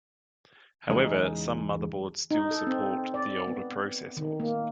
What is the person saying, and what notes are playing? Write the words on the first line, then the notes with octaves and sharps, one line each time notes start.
However, some motherboards still support the older processors.
E2 C#3 G#3 B3 D#4 D#5
D#4
A4
C4
D5
B3
D#3
A#3